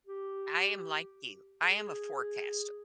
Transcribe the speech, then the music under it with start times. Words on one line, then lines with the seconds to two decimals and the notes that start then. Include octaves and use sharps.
I am like you, I am a forecaster.
0.07 G4
1.62 G#4